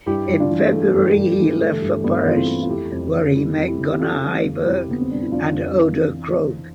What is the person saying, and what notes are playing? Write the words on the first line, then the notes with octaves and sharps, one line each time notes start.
In February he left for Paris where he met Gunnar Heiberg and Oda Krohg.
G2 E4 G4
G2
D4 F4
E3
A3
G2
G2
E3
A3
G2
G2 B3 D4
E3 F4
C4 E4
A3
F4
F2 E4 G4
F2
D3
G3 E4 G4
F2
E4 G4
F2
G4
D3 F4 A4
G3
F2
F2 E4 G4
D3 B3
C4
G3 D4
E4
F2 D4 F4
F2
E3